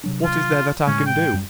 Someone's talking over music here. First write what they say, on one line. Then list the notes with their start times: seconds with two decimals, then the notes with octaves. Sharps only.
What is there that I can do?
0.04 C3 F#3 D4
0.25 F4
0.87 A2 D3 G#3 C#4
1.06 G5
1.33 F#2 G3